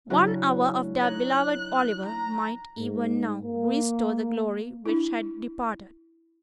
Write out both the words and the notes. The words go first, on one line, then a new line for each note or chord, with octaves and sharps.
One hour of their beloved Oliver might even now restore the glory which had departed.
C#3 F#3 D4 E4 F#4
D#4 C#5 F#6
A#5
G#2
A#3
D4 E4